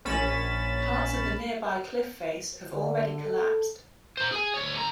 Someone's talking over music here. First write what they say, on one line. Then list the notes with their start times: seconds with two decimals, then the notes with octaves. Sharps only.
Parts of the nearby cliff face have already collapsed.
0.05 A#1 C#4 B5 A6 E7
2.71 D3
3.23 A4
4.17 C5 A#5
4.32 G#4 G#5
4.54 D2 C#5
4.74 D3 A#5